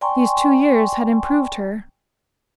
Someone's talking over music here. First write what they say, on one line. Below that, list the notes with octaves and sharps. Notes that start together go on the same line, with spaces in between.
These two years had improved her.
D5 G5 G#5 A#5 C6 C#6